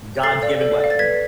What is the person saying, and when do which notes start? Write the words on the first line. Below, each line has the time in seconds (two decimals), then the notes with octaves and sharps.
God's given weapon.
0.23 A4 A6 C7
0.43 D5 F5
0.61 A4
0.80 D5 F5
0.90 A6
0.99 B4 G#6 B6